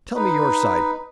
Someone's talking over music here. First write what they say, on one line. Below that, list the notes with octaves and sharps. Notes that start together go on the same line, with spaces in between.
Tell me your side.
D#4 B4